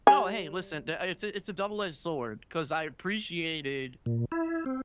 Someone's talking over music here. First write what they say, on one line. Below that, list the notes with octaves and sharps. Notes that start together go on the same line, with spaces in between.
No, hey, listen, tha it's a it's a double edged sword, 'cause I appreciated
G3 G#5
A#2
E4
C4